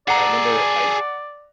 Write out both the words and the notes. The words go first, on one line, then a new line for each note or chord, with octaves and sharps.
I remember I
G#4 A4 D5 F#5 A#5